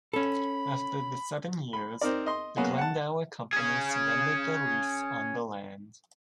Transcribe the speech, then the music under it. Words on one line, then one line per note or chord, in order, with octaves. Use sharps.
After the seven years, the Glendower Company surrendered their lease on the land.
C#4 A4 B5
B5
C4 D#4 A#4 D5
D#5 C6
F#3 A#3 B3 C#4 F#4 G#4
F#5 A5
C#4 G#4